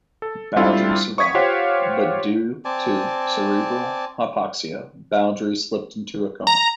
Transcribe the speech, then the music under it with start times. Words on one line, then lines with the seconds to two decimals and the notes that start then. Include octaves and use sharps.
Bowdery survived, but due to cerebral hypoxia Bowdery slipped into a coma.
0.22 A4
0.56 G3 C4 D4 E4 F4 A4
1.18 C#6 D#6 G#6 B6
1.34 F4 G4 C5 C#5 F5 F#5
2.65 C4 D5 G#5 A5
6.47 A#5